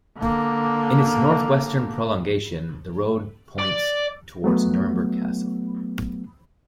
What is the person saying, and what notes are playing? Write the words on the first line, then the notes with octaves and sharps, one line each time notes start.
In its northwestern prolongation the road points towards Nuremberg Castle.
D3 A#3
D5
F#3 A3 B3